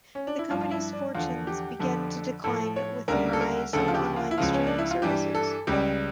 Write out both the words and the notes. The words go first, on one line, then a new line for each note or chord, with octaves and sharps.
The company's fortunes began to decline with the rise of online streaming services.
C#4
D4
E4
G2 F3 F4
F4
E4
D4
E2 D3 F3 F4
G4
F2 D3 F3
A2 F3 A4
C#5
D2 C#3 G3 A#4
A4
A#4
D2 C#3 F3 A4
F4
G4
F4
E4
C#2 C#3 F3 F4
C#4
D4
E4
F4
G2 E3 G3 G4
A4
C#2 C#3 G3 G4